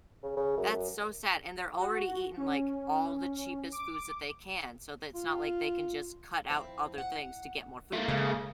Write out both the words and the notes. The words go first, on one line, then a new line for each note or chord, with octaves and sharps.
That's so sad, and they're already eating like all the cheapest foods that they can, so that it's not like they can just cut out other things to get more food.
C#3
C#3
F#2
F#2
F#4
C#4
D6
F4
F3 C4 E4
F#5
A3 A#3
C#3 G#3 C#4